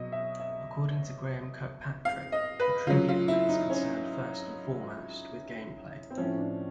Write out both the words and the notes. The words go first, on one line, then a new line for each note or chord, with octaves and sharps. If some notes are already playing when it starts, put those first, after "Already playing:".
According to Graeme Kirkpatrick, the "true gamer" is concerned first and foremost with gameplay.
Already playing: B2 F#3 D#5
E5
E5
F5
D#5
B4
C#3 F#3 F4
F4
E4
D#4
C#4
C4
A2 F3 C#4
D4